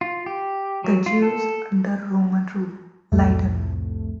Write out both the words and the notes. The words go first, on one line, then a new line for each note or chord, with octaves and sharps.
"The Jews Under Roman Rule" Leiden.
F4
G4
F#3
F4
A4
C2 F2 A2 A3